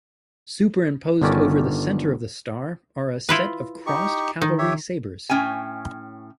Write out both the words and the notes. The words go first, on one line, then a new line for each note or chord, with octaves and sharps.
Superimposed over the center of the star are a set of crossed cavalry sabers.
G1 D3 D#3 C#4 D5
E4 F4 B4
D#4 G4 C#6
D#3
G4 C#5 E5
A2 C#4 G5 G#5